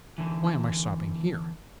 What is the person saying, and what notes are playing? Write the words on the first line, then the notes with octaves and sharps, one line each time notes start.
"Why am I stopping here?"
E2 B2 D3 E3